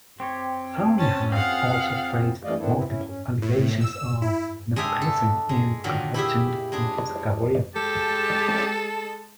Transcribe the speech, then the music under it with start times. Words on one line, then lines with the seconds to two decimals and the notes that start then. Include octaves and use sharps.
Sarney has also faced multiple allegations of nepotism and corruption in his career.
0.20 C4 G4 C#5
0.98 C#4 A5
1.32 C4 F4 G#4 F5 F#5
2.42 E3 G3 A3 D5 D#5 F5
2.58 D#3 B3 C4 D4 E4 A4
2.76 B3 C4 E4
2.88 C#4 E4
3.07 C#4
3.42 A2
3.81 E6
4.22 E4
4.76 G#3 D4 G#4 E5 F5 G5
5.02 A4
5.49 G#3
5.84 A#2 D3 D#3 F#3
6.14 E4 G4 G#4 E5
6.72 G#3 D4 G#4
7.76 G#3 G4 A4 A5